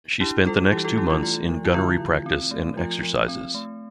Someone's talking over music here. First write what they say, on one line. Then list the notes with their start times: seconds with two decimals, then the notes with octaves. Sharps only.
She spent the next two months in gunnery practice and exercises.
0.20 D4 E4 G4
0.46 G3 F4 A4
0.71 E3 E4 G4
0.85 F4 A4
0.97 E3 E4 G4
1.10 F4
1.23 A3 F4
1.49 F3
1.65 E4
1.74 D3 F4
2.00 D3
2.26 C4
2.51 A3
2.77 F3 F4
3.03 F3
3.28 C4
3.54 A3